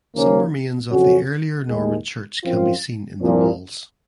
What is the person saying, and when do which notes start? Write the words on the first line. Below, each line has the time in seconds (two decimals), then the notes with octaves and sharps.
Some remains of the earlier Norman church can be seen in the walls.
0.15 D#2 C#3 F3 A#3 C#4
0.91 F2 C#3 F#3 C#4 F#4
1.68 D#2 D#3 G#3
2.44 F#2 F3 C4 F4
3.21 C2 A#2 F3